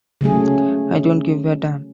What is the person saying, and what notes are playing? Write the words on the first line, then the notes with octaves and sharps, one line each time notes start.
I don't give a damn.
C#3 F#3 A3 G#4